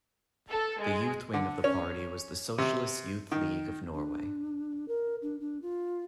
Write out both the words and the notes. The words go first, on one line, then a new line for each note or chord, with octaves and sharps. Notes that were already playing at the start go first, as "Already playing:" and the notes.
The youth wing of the party was the Socialist Youth League of Norway.
A4
G#3
D3
C#4
C3
D#3
D4
A#4
D4
D4
F4